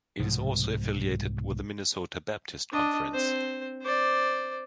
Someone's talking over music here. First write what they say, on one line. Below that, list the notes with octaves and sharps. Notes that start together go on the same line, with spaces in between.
It is also affiliated with the Minnesota Baptist Conference.
C2 G#2 B2 F3
D4 D#5
C4 C5
C5 D5